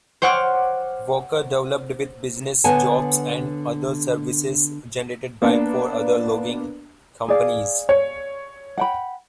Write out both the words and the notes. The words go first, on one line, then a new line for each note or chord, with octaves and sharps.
Walker developed with business, jobs and other services generated by four other logging companies.
C5 C#5 F#5 C#6 D6 F6
D3 B3 C#5 F#5 G#5 A5
A#3 B3 D4
G#4 D5 F5
C#5
F#5 G5 B5